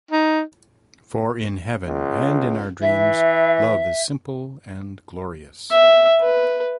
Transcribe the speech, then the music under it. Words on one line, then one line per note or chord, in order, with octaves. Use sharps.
For in heaven and in our dreams, love is simple and glorious.
D#4
C#2
E3 E5
E5
B4